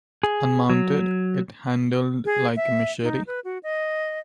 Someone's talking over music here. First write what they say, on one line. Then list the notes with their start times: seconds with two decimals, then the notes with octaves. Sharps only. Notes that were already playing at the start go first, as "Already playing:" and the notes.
Unmounted, it handled like a machete.
0.23 G#4
0.70 F#3
2.25 G#4
2.56 E5
3.03 D#4
3.27 B4
3.44 F#4
3.63 D#5